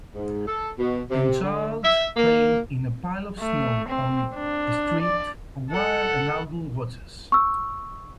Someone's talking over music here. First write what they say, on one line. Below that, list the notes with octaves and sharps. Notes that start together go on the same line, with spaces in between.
An child playing in a pile of snow on a street while an adult watches.
G#2
A4
B2
C3
D3
E5
A#3
A3
C4
D4
D5
A4 F#5
C#6 E6